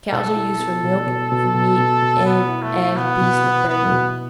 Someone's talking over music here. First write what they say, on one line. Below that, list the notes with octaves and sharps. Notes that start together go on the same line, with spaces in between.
Cows are used for milk, for meat, and as beasts of burden.
B2 A4
E4
B3
B2
B2
B2
B2
B2
B2
B2 B3
E4
A3
E4
B2 B3
B2
B2
B3 E4
B2